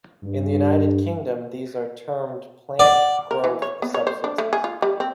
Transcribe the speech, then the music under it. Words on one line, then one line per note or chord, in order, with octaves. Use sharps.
In the United Kingdom, these are termed 'plant growth substances'.
G2
D5 F#5 D6
A#4
E3
C#5
B3
C#5
C5
D4
A3
G#4
F4
G3
C4